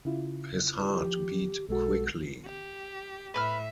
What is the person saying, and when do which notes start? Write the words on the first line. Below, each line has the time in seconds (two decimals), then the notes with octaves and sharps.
His heart beat quickly.
0.05 C#3 E4 F4
0.81 G4
1.03 F3
1.69 B1 G#3 F#4 A4
2.45 G4
3.34 A2 B4 E5 B5 F6